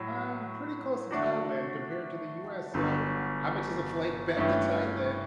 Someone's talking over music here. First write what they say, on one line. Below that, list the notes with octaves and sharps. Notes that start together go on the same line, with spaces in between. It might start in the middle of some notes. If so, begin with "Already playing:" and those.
"I'm pretty close to Thailand, compared to the US, so how much is a flight back to Thailand?"
Already playing: A2 F#3
D3 A3 D4 F#4
G1 G2 D3 F#3
G2 E3 A3 C#4